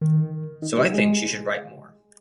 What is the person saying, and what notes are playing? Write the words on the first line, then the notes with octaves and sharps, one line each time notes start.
So I think she should write more.
D#3
D#3
G3
G#3